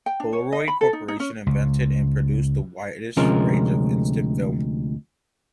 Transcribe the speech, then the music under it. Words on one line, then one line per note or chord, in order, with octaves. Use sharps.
Polaroid Corporation invented and produced the widest range of instant film.
G5
D4
C#5
D#5
B5
A4
D#4
D#4
C#4
C#2
D2 C3 F3 G#3 C#4 A#4